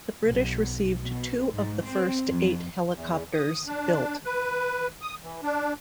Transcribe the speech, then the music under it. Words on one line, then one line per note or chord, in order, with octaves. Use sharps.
The British received two of the first eight helicopters built.
B1
B2
G#2
C4
F2
E2
D#6
D4
B4
D#6
E3
D4